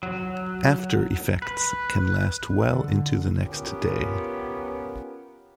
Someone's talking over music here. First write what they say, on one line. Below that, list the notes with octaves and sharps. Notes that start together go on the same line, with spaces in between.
After effects can last well into the next day.
F#3
B4
D3
B3 C#4 F4 G4 A#4